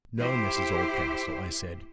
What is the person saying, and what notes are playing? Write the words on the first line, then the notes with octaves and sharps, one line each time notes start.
"No, Mrs Oldcastle," I said.
E4 G4 C5